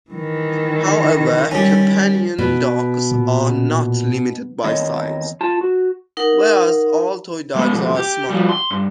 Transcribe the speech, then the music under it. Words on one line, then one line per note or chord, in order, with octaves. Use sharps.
However companion dogs are not limited by size, whereas all toy dogs are small.
D#3 E3
G3 C#4
B2
A#2
E2 D#3 C4 C#5 D#5
F4 A5
F#4
D#4 A#4 F#5
G#3 B3
B1 F2
G4
F3 G3
C6
G2